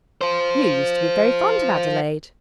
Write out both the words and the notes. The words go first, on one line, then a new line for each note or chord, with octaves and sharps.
"You used to be very fond of Adelaide."
F4 C5